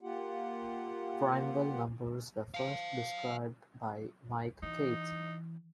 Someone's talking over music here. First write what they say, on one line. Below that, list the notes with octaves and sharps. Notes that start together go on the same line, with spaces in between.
Primeval numbers were first described by Mike Keith.
A#3 F4 G4 F#5
F5 A5
E3 D#4